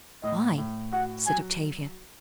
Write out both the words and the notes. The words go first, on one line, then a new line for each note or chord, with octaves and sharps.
"Why?" said Octavia.
A2 D#5
A2
F#4 F#5
F#3 G#5